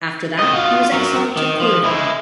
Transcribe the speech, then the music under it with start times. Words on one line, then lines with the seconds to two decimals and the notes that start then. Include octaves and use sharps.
After that he was exiled to Kurgan.
0.39 D#5 G5
0.53 F4 F#4
0.92 F#3 A#4
1.37 D#3
1.60 F3
1.84 G#3 E4